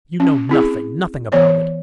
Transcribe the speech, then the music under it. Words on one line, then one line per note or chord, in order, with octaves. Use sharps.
You know nothing, nothing about it....
C#4
C4 E4 G#4
E3 B3 C#5 D5